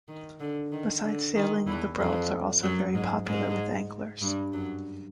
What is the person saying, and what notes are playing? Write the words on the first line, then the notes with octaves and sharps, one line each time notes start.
Besides sailing, the broads are also very popular with anglers.
D#3
D3
D#3
D3
D#3
E2 E3
F2 F3
F#2 F#3
G#2 G#3
G#2 G#3
G2 G3
F#2 F#3